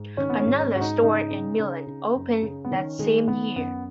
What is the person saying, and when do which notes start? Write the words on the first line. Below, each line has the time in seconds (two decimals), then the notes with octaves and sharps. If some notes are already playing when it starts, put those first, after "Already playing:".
Another store in Milan opened that same year.
Already playing: G#2
0.17 D#3 C#4
0.30 B3
0.40 C#4
0.46 G#2
0.60 C#4
0.75 G#2 F#4
0.81 D#4
1.02 C#3 D#4
1.31 C#3
1.59 C#3
1.87 C#3
2.15 F#2
2.43 C#3
2.65 B3
2.71 D#3 C#4
2.99 D#3 G#3
3.28 D#3 B3
3.56 F#2 B3